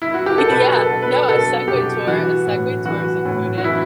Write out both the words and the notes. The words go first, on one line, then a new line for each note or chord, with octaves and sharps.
yeah, no, a Segway tour a Segway tour is included,
E4
F#4
G4
A4
B2 B4
A4
B2
B4
B2 A4
B2 G4
E3 F#4
A2
E3 F#4
A2
F#4
E3 E4